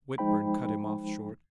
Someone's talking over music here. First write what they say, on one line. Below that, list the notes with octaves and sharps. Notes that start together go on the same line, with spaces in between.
Whitburn cut him off short.
F3 G#3 D#4 C5 G5 B5